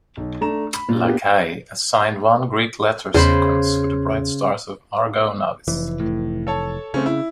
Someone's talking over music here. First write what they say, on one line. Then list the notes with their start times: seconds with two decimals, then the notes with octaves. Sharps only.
Lacaille assigned one Greek letter sequence for the bright stars of Argo Navis.
0.17 B1
0.41 A3 D4 A#5 E7
0.74 B5
0.89 A#2
1.04 A#3 B3 D4 F4 G4
3.14 E2 C#3 C5 B5
5.68 F1 E3
6.00 A2
6.47 A4 C#5 A5
6.94 C#3 A3 C4 C#4
7.06 E4